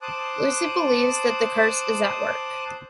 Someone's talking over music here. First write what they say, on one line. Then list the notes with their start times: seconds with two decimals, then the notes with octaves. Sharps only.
Lucy believes that the curse is at work.
0.02 C5 A5 D6 D#6 F#6